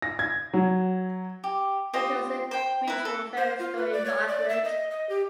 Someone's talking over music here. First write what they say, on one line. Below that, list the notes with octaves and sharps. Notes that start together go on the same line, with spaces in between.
It was a beautiful fairy story, Margaret.
A#6
G#6
F#3
G4
F4 G4 C5 D#5
C5 G5
E4 B4
A4
C5
F4
B4
D5
C#5
D5
E5
D#5
D#5
G4